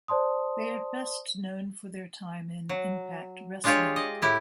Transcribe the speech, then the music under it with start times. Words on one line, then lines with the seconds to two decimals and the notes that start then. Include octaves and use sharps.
They are best known for their time in Impact Wrestling.
0.08 C5 D5 A5 C6 D#6
2.69 F#3
3.64 G#3 D4 F4 G4 G#4 C#5
3.96 D5 D#5
4.22 A2 E4 G4